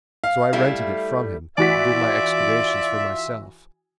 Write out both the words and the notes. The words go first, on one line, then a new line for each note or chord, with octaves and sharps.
So I rented it from him, and did my excavations for myself.
F5
G3 A3 E4
E3 F4 F#4 D5 E5 B6